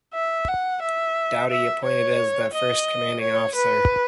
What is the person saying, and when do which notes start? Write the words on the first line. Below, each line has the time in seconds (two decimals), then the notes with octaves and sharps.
Dowdy appointed as the first Commanding Officer.
0.14 E5
0.48 F#5
0.82 E5
1.50 E5
1.85 C#5
2.53 D#5
3.21 C#5
3.55 B4